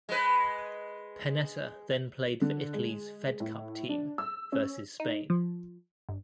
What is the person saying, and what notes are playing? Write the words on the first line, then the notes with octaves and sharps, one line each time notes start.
Pennetta then played for Italy's Fed Cup team versus Spain.
G#3 B4
D3
G#3
A2
D4
E6
C#4
D#4
F3
G1